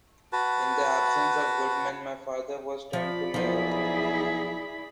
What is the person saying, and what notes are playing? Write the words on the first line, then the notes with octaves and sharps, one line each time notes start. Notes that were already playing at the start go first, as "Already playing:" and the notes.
In the absence of good men, my father was turned to mayor.
F#4 B4 A5
F3 D5 B5
B1 F3 E4 G#4 C5